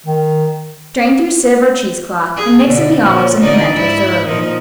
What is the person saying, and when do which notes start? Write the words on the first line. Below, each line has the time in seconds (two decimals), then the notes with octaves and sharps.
Strain through sieve or cheesecloth, and mix in the olives and pimiento thoroughly.
0.06 D#3
2.37 G#4
2.66 B2 D3
3.01 A#2 F3
3.41 D3 D#4 D5
3.76 G#2 E4
4.27 A#2 F3 D#4